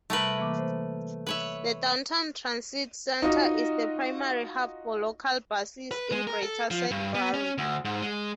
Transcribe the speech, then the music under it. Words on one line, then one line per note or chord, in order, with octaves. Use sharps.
The Downtown Transit Centre is the primary hub for local buses in Greater Sudbury.
C3 G3 A3 A#4 B4
E3 A#3 D6
C5
B4 C#5 E5
D#4 F4 F#4 D#5
B4
G#3
A#4
A4
F3
G2
B3
C#4
D2
G#2
G#3